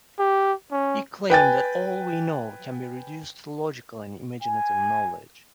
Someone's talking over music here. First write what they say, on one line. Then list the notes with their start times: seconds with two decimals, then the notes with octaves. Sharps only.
He claimed that all we know can be reduced to logical and imaginative knowledge.
0.19 G4
0.72 C#4
1.30 B4 G5 G#5 A6
4.42 G#5